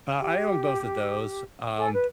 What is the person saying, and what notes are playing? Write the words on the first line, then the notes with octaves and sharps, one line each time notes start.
Uh, I own both of those. Um,
G4
A4 G#5
B4